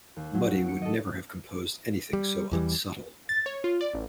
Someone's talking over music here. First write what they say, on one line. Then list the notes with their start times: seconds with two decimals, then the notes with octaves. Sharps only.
Muddy would never have composed anything so unsubtle.
0.16 D#2
0.34 F#3
0.64 C#7 D7
0.82 A4 D#5
2.13 G3
2.51 E2 E3 G3
3.29 A6
3.46 C#5
3.64 F4
3.81 D5
3.93 A1